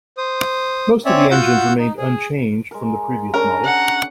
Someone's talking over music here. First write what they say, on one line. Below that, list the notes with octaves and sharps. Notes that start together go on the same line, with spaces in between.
Most of the engines remained unchanged from the previous model.
C5 D#6
C4 C#4 C#5 D5 E5
F4 F#4 F#5 E6 G6
D#4
G#4
G#3 A#4
C#4 D4 A#4 C#5 A#5
F#5